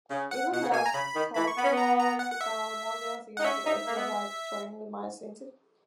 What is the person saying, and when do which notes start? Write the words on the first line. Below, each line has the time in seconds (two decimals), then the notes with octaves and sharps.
Even more sophisticated models use reversible Turing machines.
0.11 C#3
0.31 F#5
0.52 B2 F#5
0.62 C#3
0.70 B2
0.74 G#5
0.86 A#5
0.94 C#3 B5
1.15 D#3
1.35 E3 B5
1.47 C#6
1.57 B3 B5
1.64 C#4
1.71 B3
1.77 A#5
1.99 A#5
2.19 F#5
2.32 F#5
2.41 E5
3.37 F#5
3.40 D#4
3.44 C#4 E5
3.66 D#4
3.87 A#3
3.96 B3